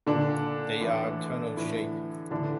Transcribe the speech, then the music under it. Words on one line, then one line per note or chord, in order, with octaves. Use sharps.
They are tunnel-shaped.
A#2 D3 D4
A2 E3
A2 E3
A2 D3 E3 D4